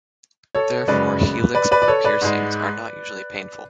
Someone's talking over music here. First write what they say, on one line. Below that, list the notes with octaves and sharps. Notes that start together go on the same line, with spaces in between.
Therefore, helix piercings are not usually painful.
A4 C#5
F#2 C#3 G#3 B4 D5
B4 D5
B4 D5
D5
A4 C#5
B4 D5
G#2 G#3